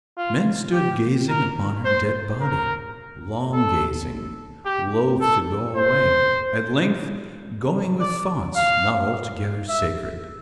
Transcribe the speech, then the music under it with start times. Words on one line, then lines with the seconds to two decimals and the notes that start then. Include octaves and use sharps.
Men stood gazing upon her dead body--long gazing--loth to go away--at length going with thoughts not altogether sacred!
0.17 F4
0.73 G4
1.29 A#4
1.85 C5
2.41 A#4
3.53 A4
4.65 G4
5.21 A4
5.76 C5
8.00 D5
8.56 F5
9.69 E5